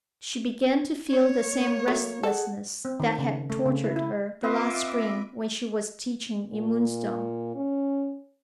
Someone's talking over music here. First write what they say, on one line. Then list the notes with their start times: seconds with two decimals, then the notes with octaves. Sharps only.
She began to feel the same restlessness that had tortured her the last spring when she was teaching in Moonstone.
1.10 C#5
1.48 A#3
1.88 F#3 A3
2.23 G#4 A4 F#5
2.85 C4
3.00 D#3
3.18 C#3
3.50 A3
3.65 C#3
3.84 E4
3.96 E4
4.43 C4 F4 B4 D#5 E5 C6 D6
6.49 A#2
7.55 C#4